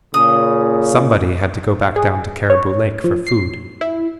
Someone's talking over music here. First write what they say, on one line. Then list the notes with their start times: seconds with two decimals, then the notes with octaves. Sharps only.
Somebody had to go back down to Cariboo Lake for food.
0.14 A#2 C#3 D#6
1.96 G#4
2.50 C#5
3.04 F3
3.27 C7
3.81 E4